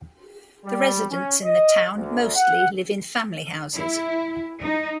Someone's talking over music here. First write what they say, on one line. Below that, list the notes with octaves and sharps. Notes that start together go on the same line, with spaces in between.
The residents in the town mostly live in family houses.
G3
C#4
D#5
D2
F#5
E4
D#4